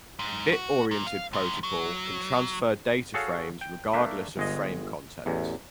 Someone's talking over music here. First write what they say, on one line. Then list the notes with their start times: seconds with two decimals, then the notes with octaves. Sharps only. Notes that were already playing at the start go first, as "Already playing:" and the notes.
Bit oriented protocol can transfer data frames regardless of frame contents.
0.19 G#2
0.53 F#4
0.91 A#2
1.06 F5
1.33 D#3 G#3
1.63 F#3
3.14 F#4 G#4 A4 C#5 F5
3.61 G5
3.93 A3 A#3 D4 E5
4.37 G1 G#3 D#5
5.26 A1 E2